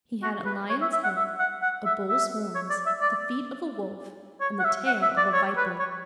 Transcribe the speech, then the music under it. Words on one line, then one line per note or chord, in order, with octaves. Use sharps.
He had a lion's head, a bull's horns, the feet of a wolf, and the tail of a viper.
F#4
B4
C#5
E5
E5
F#5
E5
F#5
F#5
E5
E5
C#5
D5
E5
D5
C#5
F#5
E5
F#5
E5
D5
C#5
B4
C#5